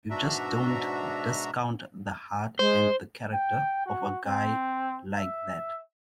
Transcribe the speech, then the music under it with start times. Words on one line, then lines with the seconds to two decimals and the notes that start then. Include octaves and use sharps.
You just don't discount the heart and the character of a guy like that.
0.10 G#2 B2 D4 F#4 E5 A#5
2.59 G#3 C5
3.33 G5
3.86 F#4
4.26 C4
5.17 E5